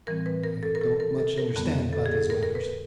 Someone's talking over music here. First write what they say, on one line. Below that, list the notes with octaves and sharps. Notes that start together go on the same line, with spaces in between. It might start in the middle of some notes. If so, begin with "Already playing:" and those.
I don't much understand about these matters.
A2 E3 G3 C4 A#4
B4
A#4
A4
A#4
A4
A#4
A4
A#4
F2 D3 G3 B3
A4
G#4
A4
A#4
A#4
B4